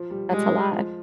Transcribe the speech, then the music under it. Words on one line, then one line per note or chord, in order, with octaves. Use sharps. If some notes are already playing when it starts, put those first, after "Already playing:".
That's a lot.
Already playing: F3
G3
G3 G#3
F3